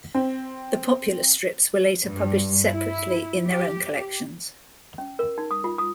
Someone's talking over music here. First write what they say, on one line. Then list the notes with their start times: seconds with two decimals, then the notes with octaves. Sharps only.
The popular strips were later published separately in their own collections.
0.14 C4
2.07 G2
2.70 E4
3.46 G4
4.98 C#4
5.19 A#4
5.38 D#4
5.51 D#6
5.64 F4
5.78 D#6